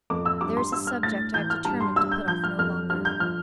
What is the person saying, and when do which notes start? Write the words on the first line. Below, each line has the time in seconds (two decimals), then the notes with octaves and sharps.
There is a subject I have determined to put off no longer.
0.10 F2 D6
0.25 E6
0.41 G2 D6
0.57 C6
0.72 G2 E6
0.87 F6
1.03 A2 A6
1.34 E3 G6
1.50 F6
1.65 G2 A5
1.81 C6
1.96 G2 E6
2.12 G6
2.28 F3 G6
2.44 F6
2.58 F2 F6
2.90 G2 F6
3.05 G6
3.20 F3 F6